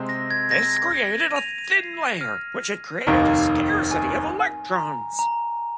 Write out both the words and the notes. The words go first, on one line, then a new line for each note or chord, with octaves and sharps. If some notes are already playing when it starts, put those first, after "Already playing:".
This created a thin layer which had a scarcity of electrons.
Already playing: C3 G#3 C4 G#4
A#6
G#6
A#6
D#7
F7
D#7
C7
A#6
F6
F1 D#2 D#3 A#3
G#5
A#5
A#5